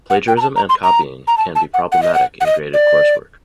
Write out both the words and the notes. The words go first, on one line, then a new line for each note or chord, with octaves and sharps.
Plagiarism and copying can be problematic in graded coursework.
F#5
G5
A#5
A5
A#5
C6
A#5
A#5
A5
A5
F#5
F#5
D#5
F#5
F#5
D#5
D5